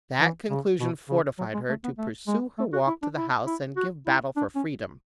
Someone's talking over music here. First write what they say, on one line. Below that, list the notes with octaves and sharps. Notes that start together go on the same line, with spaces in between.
That conclusion fortified her to pursue her walk to the house and give battle for freedom.
E3
C#3
B2
C#3
F#3
G#3
A3
B3
A3
G#3
A3
F#4
E4
D4
E4
E4
F#4
E4
D4
C#4